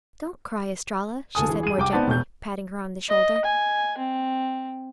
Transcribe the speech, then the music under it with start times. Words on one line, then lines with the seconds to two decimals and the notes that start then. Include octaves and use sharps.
"Don't cry, Estralla," she said more gently, patting her on the shoulder.
1.35 D2 A4 G#5 D#6
1.49 E3 G#4
1.63 G#4 D#7
1.78 C2 G5 D6
1.92 B3 C4 D#4 D5 A5
2.07 E1 B2 G6
3.09 D#5
3.45 G#5
3.97 C4